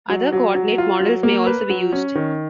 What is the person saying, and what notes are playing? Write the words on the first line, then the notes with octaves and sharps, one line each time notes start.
Other coordinate models may also be used.
F#3
F#3
F#3
F4
F#3
A#3
B4
F#3
C#4
D#3